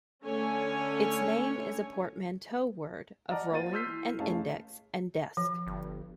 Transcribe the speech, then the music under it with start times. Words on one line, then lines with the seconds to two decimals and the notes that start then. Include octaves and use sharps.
Its name is a portmanteau word of "rolling" and "index" and "desk".
0.24 D3 A3 C#4 C#5 G#5
3.31 D5 D#5 F#5 A5 A#5 F6
3.51 A#3 F4 C5 A6 D#7
3.73 C6 E6 F6 G6 B6 C7
3.86 E3
4.18 F1 A2 C#4 G#4 F5 A5
5.37 F3
5.67 G1